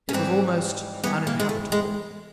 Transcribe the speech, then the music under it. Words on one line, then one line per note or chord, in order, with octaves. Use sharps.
It was almost uninhabitable.
C#4
G#2 E3 G3 C4
G#2 E3 G3 B3
A#3
G#3
A3
G#3